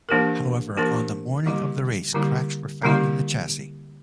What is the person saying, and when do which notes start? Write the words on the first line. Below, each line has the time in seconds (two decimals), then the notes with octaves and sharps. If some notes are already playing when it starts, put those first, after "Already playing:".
However, on the morning of the race, cracks were found in the chassis.
0.09 E3 A#3 D4 G4 A#4
0.77 E3 A#3 D4 G4 A#4
1.46 D3 G3 A#3 E4 G4
2.14 D3 G3 A#3 E4 G4
2.83 D3 G3 A#3 E4 G4